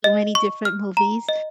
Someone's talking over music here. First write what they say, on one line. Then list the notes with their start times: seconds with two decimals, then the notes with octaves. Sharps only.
so many different movies,
0.04 D#5
0.35 C#6
0.65 F6
0.97 A#5
1.29 D#5